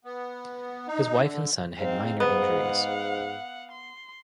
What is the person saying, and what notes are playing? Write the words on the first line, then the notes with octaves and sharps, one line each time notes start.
His wife and son had minor injuries.
B3
D#4
D3
G#2 C4 F5
B3 F5 F#5
C6